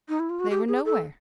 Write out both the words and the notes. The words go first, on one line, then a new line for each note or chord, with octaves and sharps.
They were nowhere.
D#4
E4
F4
F#4
G4
G#4
A4